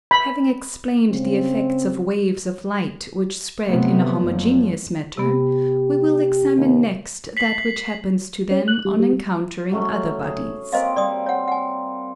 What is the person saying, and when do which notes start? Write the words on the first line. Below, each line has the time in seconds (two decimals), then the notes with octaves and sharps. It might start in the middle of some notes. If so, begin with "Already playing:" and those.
Having explained the effects of waves of light which spread in a homogeneous matter, we will examine next that which happens to them on encountering other bodies.
0.11 B5
1.11 C#3 C4
3.68 C3 F3 F#3 A3 B3
4.23 F#1 F3 F#3
5.17 C3 B3 G4
6.58 D#2
7.37 B6 C7 F#7
8.51 C#4
8.68 F#6
8.85 G3
9.00 G3
9.71 F#3 A3 C#4
10.23 G#4
10.73 A#3 C4 C5 D#5 F5
10.96 G3 D5 C6 D#6
11.26 C#5 F#5
11.48 F#5 G#5